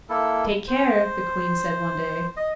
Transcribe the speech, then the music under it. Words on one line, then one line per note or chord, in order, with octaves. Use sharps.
"Take care," the Queen said one day.
A#3 E4 A4
C5
D#5